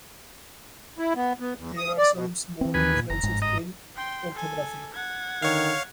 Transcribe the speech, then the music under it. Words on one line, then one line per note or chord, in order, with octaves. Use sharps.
There are some small differences in orthography.
E4
B3
B3
E2
D#6
D5
B2
E3 C4
D#2 B4 G#5
A#2
F#1 A#5
G1 G#2 G#3
D#5 A#5
G5 C6
A4 G#5
F#5 G#6
D3 D#3 C#5 F5